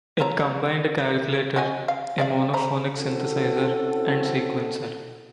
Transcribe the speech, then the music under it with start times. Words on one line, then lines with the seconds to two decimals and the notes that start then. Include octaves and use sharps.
It combined a calculator, a monophonic synthesizer, and sequencer.
0.20 E4 C#5 A#5
1.56 F#4 D#5 G#5
1.88 F5
2.18 D5 E5 F5
2.54 C5 A#5 B5
2.96 C4 C#4 E4 F#4 A4